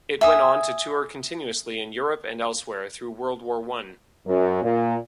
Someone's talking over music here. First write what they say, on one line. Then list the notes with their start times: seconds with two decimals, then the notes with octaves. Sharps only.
It went on to tour continuously in Europe and elsewhere through World War One.
0.21 E5 G#5 D#6
4.26 F#2
4.62 A#2